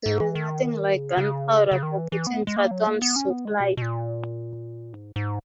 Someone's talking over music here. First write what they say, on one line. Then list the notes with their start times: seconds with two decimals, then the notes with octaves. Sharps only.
There is nothing like gunpowder for putting phantoms to flight.
0.06 G#2
0.21 E3
0.35 D#3
0.95 C#3
1.17 C#3
1.71 C#3
1.83 D#3
1.98 E3
2.12 E3
2.27 B3
2.47 G#3
2.56 A#3
2.71 F#3
2.87 A#3
3.02 B3
3.16 C#4
3.30 B3
3.45 G#3
3.60 B2
3.77 B2
3.82 A#2
4.93 G#2
5.16 G#2